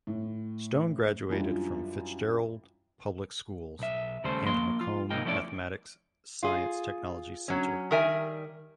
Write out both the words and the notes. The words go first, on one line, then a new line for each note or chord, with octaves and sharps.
Stone graduated from Fitzgerald Public Schools and Macomb Mathematics Science Technology Center.
A2
F#2 E3 G3 D4 F4
B1 E5
D#2 C#3 G3 A3 C5
F3 A#3 C6
F4
B1 C3 A#3 D#4 G5
F3 A3 C#4 E4 D5
F4 G#4
F#3 C#4
D#3 G3 A#4 E5 G#5